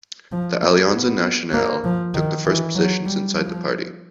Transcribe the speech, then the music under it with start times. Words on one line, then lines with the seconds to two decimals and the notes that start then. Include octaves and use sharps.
The Alianza Nacional took the first positions inside the party.
0.32 F3
0.63 A#3
0.92 B3
1.54 A#3
1.84 F3
2.14 D#3
2.45 E3
2.75 F#3
3.06 G3
3.36 F3